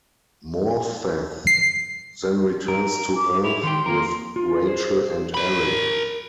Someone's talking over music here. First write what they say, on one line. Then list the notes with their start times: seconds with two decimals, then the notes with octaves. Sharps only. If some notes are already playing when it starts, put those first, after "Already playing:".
Morpeth then returns to Earth with Rachel and Eric.
1.47 C7
2.68 A#4
3.16 D6
3.44 E4 F7
3.63 D#3 G4 C6
3.86 A#3 A#4 C6
4.36 F4
4.67 G#4 C5
5.34 A#4 B5